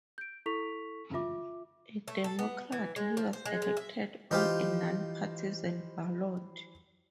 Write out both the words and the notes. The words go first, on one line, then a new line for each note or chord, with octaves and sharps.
A Democrat, he was elected on a non-partisan ballot.
G6 D7
E4 A4 C#6 B6 F7
F4 E5 D6
A3
A4
B3
E3
G#3
F3
C5
G#3
G#3
E5
E3 D#4 F4 G4 C5